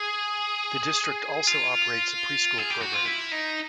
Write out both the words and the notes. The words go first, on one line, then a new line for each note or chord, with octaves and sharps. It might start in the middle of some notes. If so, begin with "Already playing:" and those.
The District also operates a pre-school program.
Already playing: G#4
F4
G#4
G4
F#4
F4
E4
D#4